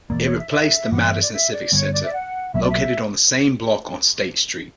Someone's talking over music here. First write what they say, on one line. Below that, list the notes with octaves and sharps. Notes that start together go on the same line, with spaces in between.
It replaced the Madison Civic Center, located on the same block on State Street.
E1 E2 B2 A#3 D5
C#5
E5
E5
G2 E3 B3 F#5
E5
E5
D5
E5
D5
G2 D3 G3 B3 C#5
D5
E5
F#5
B1 B2 F#3 A#3 E5
D5
E5